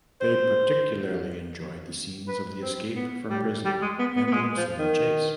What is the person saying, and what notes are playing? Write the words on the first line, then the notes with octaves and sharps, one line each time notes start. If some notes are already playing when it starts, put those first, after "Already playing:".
They particularly enjoyed the scenes of the escape from prison and the ensuing chase.
C5
B4
C4
B3
G3
G3
G#3
B3
B3
B3
G#3
F3
D#3